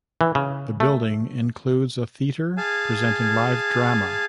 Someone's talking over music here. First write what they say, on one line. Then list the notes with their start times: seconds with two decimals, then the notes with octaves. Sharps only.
The building includes a theatre presenting live drama.
0.21 E3
0.35 C#3
0.80 A3
2.57 G#4 F5 G#5 A5